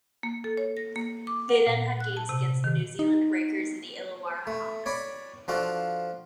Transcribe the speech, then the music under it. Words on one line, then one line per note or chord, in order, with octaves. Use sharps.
They then had games against the New Zealand Breakers and the Illawarra Hawks.
A#3
A4
C#5
A#6
A#3
D6
F#5
A#2
F#6
A5
C3
D#3
D#4
A3
C#5 D5 B5
F3 D4 F4 F#4 A4